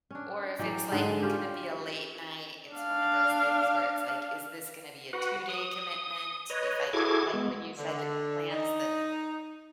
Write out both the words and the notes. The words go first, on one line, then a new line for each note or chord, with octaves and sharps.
Or if it's like gonna be a late night, it's one of those things where it's like, "Is this gonna be a two-day commitment?" If I k like when you said plans the
C#4 D4
E3 F#3 D5 G5
G#2 D3 G#3
C#4 F4 G4
D4 F5
F#4 B4 F#5
D#6
B4 C#5 D#5
E4 F#4 G#4 A4 D6 G#6
G#3 B3
D3
D#4